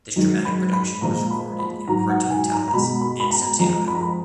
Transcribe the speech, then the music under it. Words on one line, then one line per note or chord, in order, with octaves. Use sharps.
This dramatic production was recorded in Puerto Natales and Santiago.
F#2 D#3 G#3
B5
B5
A#2 F3 G#3 A#5
B5
B5
G#2 F#3 A#5
F#5
G#5
A#5
A#5
B2 G#3 B5
B5
B5
A#5
F2 F3 G#3 A#5
B5
A#5
B5